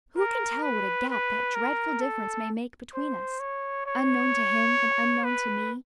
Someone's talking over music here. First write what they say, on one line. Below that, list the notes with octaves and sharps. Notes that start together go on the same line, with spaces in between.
Who can tell what a gap that dreadful difference may make between us, unknown to him and unknown to me?
A#4
B4
B4
A#4
A4
C5
C#5
C#5
B4